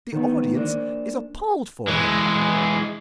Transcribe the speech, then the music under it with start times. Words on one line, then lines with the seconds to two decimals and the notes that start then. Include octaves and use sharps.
The audience is appalled for him.
0.12 D#3 B3
0.55 A#3 D4
1.88 E3 G#3